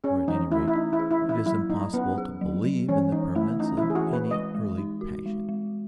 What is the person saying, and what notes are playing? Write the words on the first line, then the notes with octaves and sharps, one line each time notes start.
Or, at any rate, it is impossible to believe in the permanence of any early passion.
C#4 G#4
E3 D#4
A3 E4
E4
C#4 D#4
E4
G#4
E4
E3
E4
F#3 E4
F#3 D#4
B3 C#4
G#4
F#3
F#3
E3 C#4
E3 D#4
A3 E4
C#4 D#4
E4
E3
G#4
F#4
E3
B4
G#3 D#5
G#3
D#4
F#4
G#3
G#3